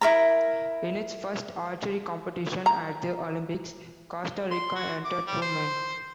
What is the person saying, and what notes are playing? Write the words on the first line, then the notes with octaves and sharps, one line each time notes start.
In its first archery competition at the Olympics, Costa Rica entered two men.
E4 A#4 A#5
A#5
C6
F#4
D6
G3
C5